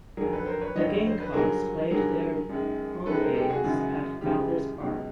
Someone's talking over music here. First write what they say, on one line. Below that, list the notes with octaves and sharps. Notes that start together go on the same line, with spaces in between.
The Gamecocks played their home games at Founders Park.
F2 D3 F#3 G#4 A#4
A4 B4
A#4 C5
B4 C#5
F2 D3 F#3 C#5 D#5
C#5
C5
B4
G2 D3 F#3 G#4 A#4
G2 D3 F#3 G#4 A#4
F#2 D#3 G#3
F#2 D#3 G#3 A4 B4
A#4 C5
G4 A4
F#4 G#4
F#2 C#3 E3 G#3
F#2 C#3 E3 G#3 F4 G4
C#2 B2 F#3